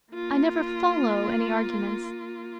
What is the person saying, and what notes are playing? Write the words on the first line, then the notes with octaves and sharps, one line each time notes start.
I never follow any arguments.
A#3 F4